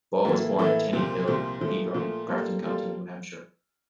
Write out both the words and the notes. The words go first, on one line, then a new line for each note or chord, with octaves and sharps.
Ball was born at Tenny Hill, Hebron, Grafton County, New Hampshire.
A2 E3 A#3 E4 A4
A2 E3 A#3 E4 A4
C2 A#2 F3 C4
C2 A#2 F3 C4
A#2 F3 A3
A#2 F3 A3
G3 A#3 F4 A4
G3 A#3 F4 A4